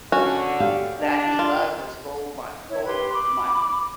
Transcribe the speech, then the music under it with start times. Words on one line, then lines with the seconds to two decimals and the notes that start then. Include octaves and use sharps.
that he loved was gold mine gold mining.
0.12 D3 C#4 F#4
0.60 G4 F5
1.00 D4
1.39 F4
2.70 E4 C#5
2.86 G4 B4 C6
3.12 B5 D6